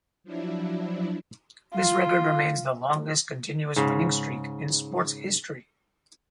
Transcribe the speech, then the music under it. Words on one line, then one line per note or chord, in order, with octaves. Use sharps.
This record remains the longest continuous winning streak in sports history.
F3 F#3 D4 E4
F4
G#2 C#3